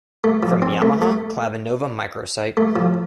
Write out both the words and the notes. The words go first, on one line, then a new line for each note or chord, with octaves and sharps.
From Yamaha Clavinova microsite.
A3
F3
C4
A3
A3
A3
F3